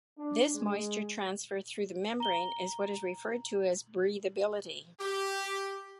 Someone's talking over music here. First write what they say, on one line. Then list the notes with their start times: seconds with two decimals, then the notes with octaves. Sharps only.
This moisture transfer through the membrane is what is referred to as breatheability.
0.18 D4
0.54 G#3
2.20 A#5 G7
5.00 G4